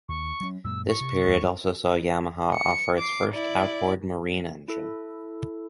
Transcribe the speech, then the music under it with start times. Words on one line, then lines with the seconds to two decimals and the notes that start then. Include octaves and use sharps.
This period also saw Yamaha offer its first outboard marine engine.
0.09 D#2 C#6
0.41 F#3 C#4
0.64 F#2 A#2 G#3 E6
0.89 C#6
1.01 C3
1.25 A1 D#2 G#3
2.54 C#7
2.99 D6 C7
3.34 E4 D5
4.68 E4 A4